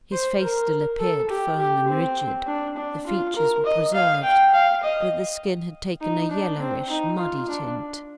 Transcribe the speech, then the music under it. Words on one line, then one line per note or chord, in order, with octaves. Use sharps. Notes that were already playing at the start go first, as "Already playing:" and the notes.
His face still appeared firm and rigid; the features were preserved, but the skin had taken a yellowish, muddy tint.
C5
A#4
A4
G4
G4
C4
D4
D4
F4
A#4
D#5
F5
G5
F5
D#5
D#4
D4
C4
D#4
F4
D4